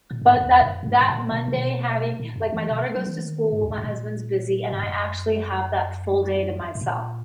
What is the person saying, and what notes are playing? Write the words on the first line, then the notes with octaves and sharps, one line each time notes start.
but that that Monday having like, my daughter goes to school, my husband's busy and I actually have that full day to myself.
A#2
G#2
F#2
E2
G#2
F#2
A#2
G#2
G#2
A#2
B2
C#3
B2
A#2
F#2
E3
B2
F#3
E3
D#3
G#2
E2
F#2
G#2
A#2
G#2
F#2
G#2
A#2